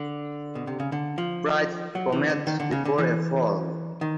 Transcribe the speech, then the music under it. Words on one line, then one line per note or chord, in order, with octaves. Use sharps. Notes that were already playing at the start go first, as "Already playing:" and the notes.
Pride cometh before a fall.
Already playing: D3
B2
C3
C#3
D3
F3
F#3
E3
D3
D#3
D3
C#3
D3
E3
D#3